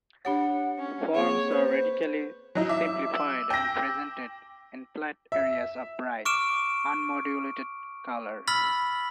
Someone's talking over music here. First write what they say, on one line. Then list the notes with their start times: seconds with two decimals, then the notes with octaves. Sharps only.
Forms were radically simplified and presented in flat areas of bright, unmodulated color.
0.25 D4 G4 C#5 F#5
0.79 C#4
1.15 A#3 C4 G#4 C#5 F#5
1.50 B4 C5
2.55 F#3 D#4 E4
2.69 E5 D6
3.15 E6
3.50 G5 D6 A#6
5.32 E5
6.25 C#6 D6 F6 D7 E7
8.48 B5 E6 F6 A6 B6 F#7